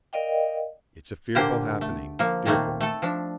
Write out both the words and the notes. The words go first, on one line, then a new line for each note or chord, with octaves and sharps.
"It's a fearful happening, fearful."
A#4 D5 D#5 F5 G5
A#2 D3 A#3 G4 C5 G5
A3
F3 A#3
A#2 D#3 A3 A#3 C4
A3 A4
F3 D4